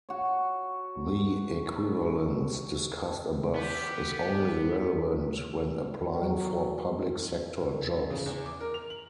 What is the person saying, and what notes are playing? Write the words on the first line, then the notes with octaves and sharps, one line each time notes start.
The equivalence discussed above is only relevant when applying for public sector jobs.
F#4 C#5
B3 G4
F#3
C#3
E2
D6
A#4
F7
F#7